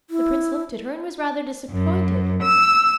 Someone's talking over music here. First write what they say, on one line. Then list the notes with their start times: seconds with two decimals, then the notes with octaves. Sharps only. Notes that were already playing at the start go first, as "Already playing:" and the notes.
The prince looked at her and was rather disappointed.
0.10 E4
1.71 F#2
2.42 E6